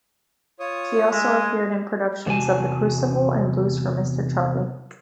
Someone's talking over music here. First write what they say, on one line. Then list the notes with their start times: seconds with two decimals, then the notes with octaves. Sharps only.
She also appeared in productions of "The Crucible" and "Blues for Mr. Charlie".
0.60 F4 C#5 D#6
1.11 G#3 E5
1.37 G#5
2.27 E2 C3 F#4 G#5 A5